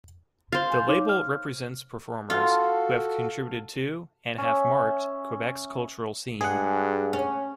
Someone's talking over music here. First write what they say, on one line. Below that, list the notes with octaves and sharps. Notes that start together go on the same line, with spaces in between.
The label represents performers who have contributed to and have marked Quebec's cultural scene.
C5 F5 A6 G7
G#5 G6
D#4 C#5 D6
F6
F4 F#4 A4 F5 A5
C#4 E5
G2 G#3 G#4 F#5
C#4